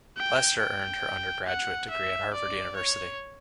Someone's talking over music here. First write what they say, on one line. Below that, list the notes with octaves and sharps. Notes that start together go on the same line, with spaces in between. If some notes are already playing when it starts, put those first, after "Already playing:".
Lester earned her undergraduate degree at Harvard University.
G5
G5
F#5
E5
D5
C#5